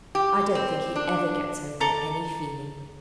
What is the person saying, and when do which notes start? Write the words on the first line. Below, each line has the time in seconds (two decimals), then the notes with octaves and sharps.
I don't think he ever gets over any feeling.
0.15 G4
0.55 C4
0.96 D4
1.80 A4 A#5 D6